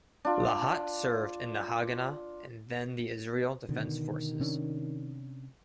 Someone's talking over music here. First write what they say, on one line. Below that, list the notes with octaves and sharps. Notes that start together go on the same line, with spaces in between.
Lahat served in the Haganah and then the Israel Defense Forces.
D4 F4
B2 D3 D#3
C3 C#4 D4